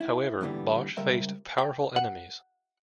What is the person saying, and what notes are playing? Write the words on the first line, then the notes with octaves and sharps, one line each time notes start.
However, Bosch faced powerful enemies.
E4
E2 A#2 D3 E3 G3 B3
C#2 G3 A#4 C5 E5
G5
F#5